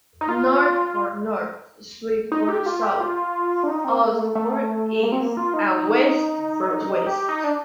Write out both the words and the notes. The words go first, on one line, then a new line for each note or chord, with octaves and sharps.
Noord for north, Zuid for south, Oost for east and West for West.
D#4
F4
D#4
G4
F4
G4
F4
D4
D#4
C4
A#3
A3
A3
A#3
C4
A#3
F4
D#4
G4
D#4
D4